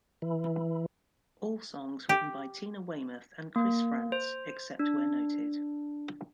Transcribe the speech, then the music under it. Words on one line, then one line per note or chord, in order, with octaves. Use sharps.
All songs written by Tina Weymouth and Chris Frantz, except where noted.
E3
G4
A#3
C5
D4